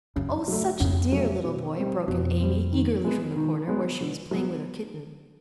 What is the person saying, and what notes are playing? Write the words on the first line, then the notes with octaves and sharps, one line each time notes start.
"Oh, such a dear little boy," broke in Amy eagerly from the corner, where she was playing with her kitten.
F#2 C#3
F#3 A3
F2 C#3
F#3 A3
B2
G3 C4
F2 B2
G3 C4
D#3
G#3 B3
D#3
G#3 B3
D3
F#3 B3